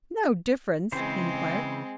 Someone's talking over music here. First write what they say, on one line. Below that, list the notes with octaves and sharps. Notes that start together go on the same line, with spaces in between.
"No difference?" he inquired.
C#3 E3 G#3 C4 C5